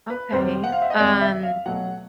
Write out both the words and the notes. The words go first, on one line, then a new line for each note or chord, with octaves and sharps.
Okay. Um
B4
F2 C3 D#3 G3 C5
F#5
F5
E5
D#5
F2 C3 D#3 G3 D5
E5
F5
B2 F#3 A3 F#5